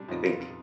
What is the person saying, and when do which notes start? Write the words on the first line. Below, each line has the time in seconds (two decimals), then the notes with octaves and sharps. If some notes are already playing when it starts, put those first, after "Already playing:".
I think,
Already playing: C3 G3 D4
0.09 F2 D#4
0.24 B3 F4
0.40 C3